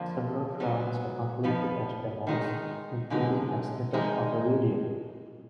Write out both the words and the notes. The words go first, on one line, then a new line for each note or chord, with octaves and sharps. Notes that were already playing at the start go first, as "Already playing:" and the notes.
Several tracks were completed as demos, including a snippet of a video.
Already playing: F2 D3 F3 A#3
G#2 F#3 B3
F2 F3 B3 D#4
D#3 G#3 D#4
F#2 D3 G#3 D#4
F2 D#3 G#3 D#4